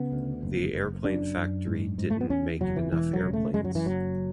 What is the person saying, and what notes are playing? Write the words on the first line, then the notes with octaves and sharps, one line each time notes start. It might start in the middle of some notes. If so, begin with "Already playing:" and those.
The airplane factory didn't make enough airplanes.
Already playing: C#3 B3
D2
F#1
F#1
F#2 D4
F#2
G#2
G#2
A3
B3
E2 C#4
F#1 F#3
E3
E1 E3
F#3
C#3
A3
F#2 G#3
F#3
E3
F#1 F#3